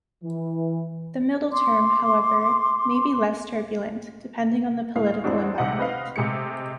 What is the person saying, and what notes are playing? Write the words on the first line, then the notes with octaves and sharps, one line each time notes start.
The middle term, however, may be less turbulent, depending on the political environment.
E3
C6 D6
D2 A2 G#3 F5
F#2 E3 G#3 C4 D4 F#4
B1 C3 D#5 F#5
C4 B4 D#5 F5
C3 G#3 A3 C#7